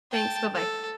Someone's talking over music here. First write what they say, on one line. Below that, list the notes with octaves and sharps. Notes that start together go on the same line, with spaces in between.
Thanks, bye-bye.
G5 A5
A4